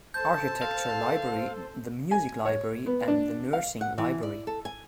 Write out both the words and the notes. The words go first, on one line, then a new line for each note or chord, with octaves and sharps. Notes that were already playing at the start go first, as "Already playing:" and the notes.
Architecture Library, the Music Library, and the Nursing Library.
A4 C5 A5 G6
F5
G#5
C#5
B3
D4
F5
F#5
E3
D5
A4
G#5